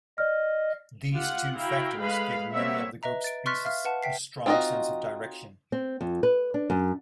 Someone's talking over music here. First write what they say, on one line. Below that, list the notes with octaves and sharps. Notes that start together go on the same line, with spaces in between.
These two factors give many of the group's pieces a strong sense of direction.
D5 D#5 F6
F4 G4 F#5
E4 F#4 F5 G5 A#5
G#3 A3 B4 F5 B5
G3 A#3 C4 C#5 E5 F#5
B4 D#5 E5 A#5
A6 D7
C6 C#6 F6 F#6 A6 B6
E5 F5 F6
B4 F#5 A5
E5 G5 B6 C7
C4 D#4 F4 F#4 D#5
C4
F2
B4
D4
F#2